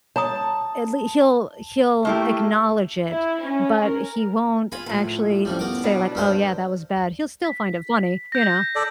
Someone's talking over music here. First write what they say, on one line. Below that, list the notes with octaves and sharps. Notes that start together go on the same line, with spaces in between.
at lea he'll he'll acknowledge it, but he won't actually say, like, "Oh, yeah, that was bad." He'll still find it funny, you know?
C#5 A5 A#5 D#6
A3 A#3 E4 G4
E4
C#4
A#4
F4 G#4 B5
F2 A2
A1 F3 G3
B3 A#4 D6
B2 G3 D4
G2 A#4 C5
B6
G6 A#6
A4 D5